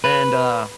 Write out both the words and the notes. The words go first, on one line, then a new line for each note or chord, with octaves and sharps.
And, uh,
B4